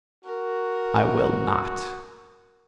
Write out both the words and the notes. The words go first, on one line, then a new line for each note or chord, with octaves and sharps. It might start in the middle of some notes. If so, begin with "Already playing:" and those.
"I will not."
F#4 A#4